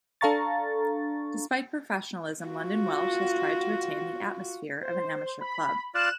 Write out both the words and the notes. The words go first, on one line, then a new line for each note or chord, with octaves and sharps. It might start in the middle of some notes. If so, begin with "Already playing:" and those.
Despite professionalism, London Welsh has tried to retain the atmosphere of an amateur club.
D4 A4 F5 A#5 C#6 A6
F4 F#4
C5
B5
F4 D5 F#6 E7